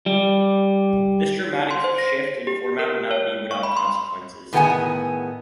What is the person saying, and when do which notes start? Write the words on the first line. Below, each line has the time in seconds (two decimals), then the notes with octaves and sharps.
This dramatic shift in format would not be without consequences.
0.06 G3
1.71 C6
1.84 C5
1.98 A#6
2.47 G4
2.79 A#4
3.11 C#5
3.51 C#6
3.63 B5
3.77 C6
4.53 A2 D#3 B3 G#4 F#5 G#5